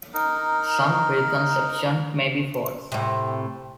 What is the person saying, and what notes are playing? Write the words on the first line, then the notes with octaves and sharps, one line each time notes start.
Some preconceptions may be false.
D#4 A#4
A2 C3